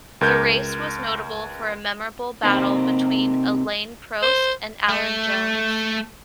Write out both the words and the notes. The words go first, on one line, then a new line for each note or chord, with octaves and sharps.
The race was notable for a memorable battle between Alain Prost and Alan Jones.
C#2 A#4 G6 G#6
C3 A#3 C4 D#4
C5
A3